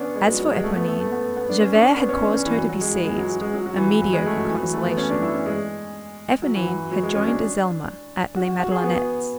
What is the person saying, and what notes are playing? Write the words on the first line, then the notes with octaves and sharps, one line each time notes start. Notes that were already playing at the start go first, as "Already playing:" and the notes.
As for Eponine, Javert had caused her to be seized; a mediocre consolation. Eponine had joined Azelma at Les Madelonettes.
Already playing: B3 C#4 D4
G#3
F#3
F#3
G#3
A3
B3
A3
A3
B3
B3
D4
C#4
D4
C#4
B3
C#4
D4
C#4
E3
F#3
F#3
G#3
E3
G#3
F#3
F#3
G#3
F#3
F#3
E3
E3
F#3
G#3
A3
F#3
E3
F#3
A3
B3
C#4
D4
E4
C#4
G#3
F#3
E3
F#3
F#3
G#3
C#4
D4
F#4
F#4
F#4
G#4
B3